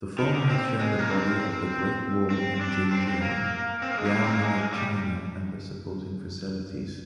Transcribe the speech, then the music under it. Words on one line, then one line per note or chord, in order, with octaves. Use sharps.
The form has shown the body of the Great Wall in Jinzhou, Liaoning of China and the supporting facilities.
D#3
D3
C4
G#3
A#3
C4
C4
C4
D4
C4
C4
A#3
C4
A#3
G#3
A#3
C4
A#3
G#3
G3